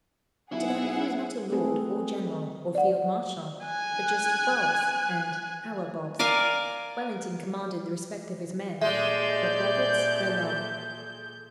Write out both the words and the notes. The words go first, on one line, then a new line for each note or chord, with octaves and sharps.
To them he was not a Lord, or General, or Field Marshal, but just "Bobs" and "Our Bobs." Wellington commanded the respect of his men, but Roberts their love.
B1 E4 G#4 F#5
A3 C4 G#4 A4 B4
D5 F#5
G#5 F#6
A#4 D5 F5 G#5
A#2 G#3 G4 A4 D5 E5 G6